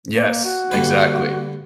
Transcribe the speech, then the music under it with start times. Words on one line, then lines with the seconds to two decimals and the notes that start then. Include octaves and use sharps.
Yes, exactly,
0.12 A#3
0.45 F#4
0.72 D3 G3 A#3 B4